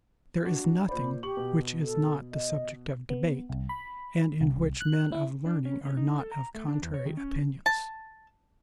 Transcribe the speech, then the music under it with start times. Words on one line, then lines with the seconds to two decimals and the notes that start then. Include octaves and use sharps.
There is nothing which is not the subject of debate, and in which men of learning are not of contrary opinions.
0.44 D4 F#4
0.89 A#2 C5 D5 B5
1.23 G4 C#6 F#7
1.37 B2
1.83 A4
2.32 D#5
3.10 B3
3.49 C2
3.69 B5
4.41 C2
4.81 F#6
5.12 E4
5.46 D4
5.65 C#4
5.85 C#4
5.97 D#4
6.20 A4
6.32 A#5
6.55 A3
6.68 D4
6.82 E2
6.94 C#5
7.05 D#3
7.17 C#4
7.66 A5